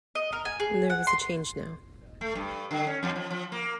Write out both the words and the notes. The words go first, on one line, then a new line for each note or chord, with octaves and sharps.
There was a change now.
D#5
A#4
G#5
G#4
F#5
C6
A3
G2
D3
C#4
E2
F3
F3
A#3